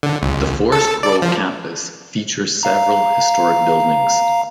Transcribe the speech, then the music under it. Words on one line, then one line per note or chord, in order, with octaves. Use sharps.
The Forest Grove Campus features several historic buildings.
D3
C#2
A4
D5
F3
F5 A#5